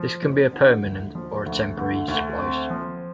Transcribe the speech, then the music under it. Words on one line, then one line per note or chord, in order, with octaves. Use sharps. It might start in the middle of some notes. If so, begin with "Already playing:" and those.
This can be a permanent or temporary splice.
Already playing: F3
F2
D3
D2
F3
D2
D3
D2
C4
F3